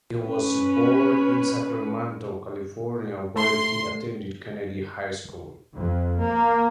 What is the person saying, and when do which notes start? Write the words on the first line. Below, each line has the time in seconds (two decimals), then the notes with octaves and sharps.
He was born in Sacramento, California, where he attended Kennedy High School.
0.23 C#4 B4
3.36 A3 C6
5.74 F2
6.19 A#3